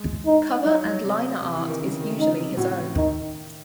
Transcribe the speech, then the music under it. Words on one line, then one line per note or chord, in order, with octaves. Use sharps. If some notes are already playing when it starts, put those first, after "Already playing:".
Cover and liner art is usually his own.
Already playing: G#3
D#4
F#3 D#4
F#3
C3
C3
E3
D#3
C#3
D#3
C#3 D#4
C3
A2 F#4
D#3 D#4